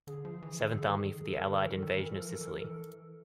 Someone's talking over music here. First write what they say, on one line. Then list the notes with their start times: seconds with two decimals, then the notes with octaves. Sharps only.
Seventh Army for the Allied invasion of Sicily.
0.07 D3 G#4
0.25 F3
0.43 E3
0.60 D#3
0.66 A4
0.73 D3 G#4
0.87 D#3
1.01 G#4
1.24 A4
1.38 A#4
1.47 D3 A4
1.65 E3 A#4
1.79 D#3 A4
1.92 A#4
2.00 E3
2.06 A4
2.18 F3 A#4
2.34 A4
2.41 E3
2.48 A#4
2.61 E3 A4